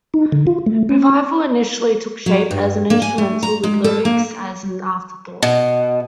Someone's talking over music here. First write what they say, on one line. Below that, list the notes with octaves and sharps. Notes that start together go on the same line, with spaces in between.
"Revival" initially took shape as an instrumental, with lyrics as an afterthought.
D#4
D3
F4
A3
C#4
F#3
G2
A#3
G#5
A3
A#5
G#3
A4
A#3
B2